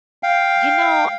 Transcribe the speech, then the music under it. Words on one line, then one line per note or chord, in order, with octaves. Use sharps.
you know,
F5 G5